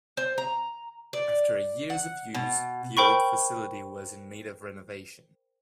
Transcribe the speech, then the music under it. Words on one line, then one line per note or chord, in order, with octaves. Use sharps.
After years of use the old facility was in need of renovation.
C5
A#5
D5
F#5
B2
A#4 C5 G5 B5 C#6